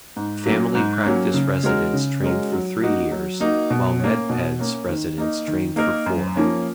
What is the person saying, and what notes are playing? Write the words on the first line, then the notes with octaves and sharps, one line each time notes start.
Family Practice residents train for three years, while Med-Peds residents train for four.
G#2
F#3 A#3 C#4
G#2
F#3 A#3 C#4
C#3
G#3 C#4 F#4 A#4
C#3
G#3 C#4 F#4 A#4
F#3
A#3 D#4 F#4
F#3
A#3 D#4 F#4
B2
A#3 C#4
B2
A#3 C#4
D#3
A#3 D#4 A#4
D#3
A#3 D#4 A#4
F#2
F3 A#3 C#4